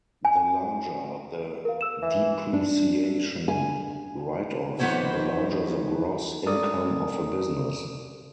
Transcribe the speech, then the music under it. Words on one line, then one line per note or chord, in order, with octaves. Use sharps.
The larger the depreciation write-off, the larger the gross income of a business.
G#5
A#4 F5
E6 E7
E3
D4
G#5
F2 D#3 B3 C5 C#5 E5
A4 A#4 D5 D#6